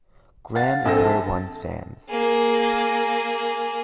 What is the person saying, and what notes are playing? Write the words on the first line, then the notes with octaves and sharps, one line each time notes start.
Graham is where one stands.
F5 F#5 A6
A#1 C4 A4 A#6
A5
A#3 G#4